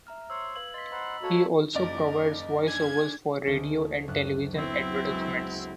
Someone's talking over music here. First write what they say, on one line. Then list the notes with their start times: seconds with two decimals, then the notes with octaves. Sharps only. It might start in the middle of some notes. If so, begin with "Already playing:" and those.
He also provides voice-overs for radio and television advertisements.
0.07 E5 A#5 F6
0.30 C5 C#5 E6
0.56 B4 F5 G#6 F#7
0.74 D#5 C6 A6 B6
0.92 C5 D#5 F#5 A#5 B5
1.23 A#3 F#4 A4 C#5
1.74 F#1 A#4 D5 D#5
2.67 D4 G#5 G#6
3.44 D2 G#3 D7
4.08 F#1 F#6
4.55 F#3 B3 C4 E4
5.09 G#3 F#4